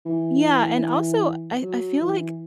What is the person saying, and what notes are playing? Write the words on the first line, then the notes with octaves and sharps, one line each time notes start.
Yeah, and also I I feel like,
E3
F#3
E3